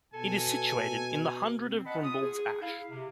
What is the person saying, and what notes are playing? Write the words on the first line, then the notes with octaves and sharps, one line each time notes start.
It is situated in the Hundred of Grumbald's Ash.
B2 A4 G#5
C4
D#5 F#5 A5 B5
F4 D#6
G#4
E4 F5
C3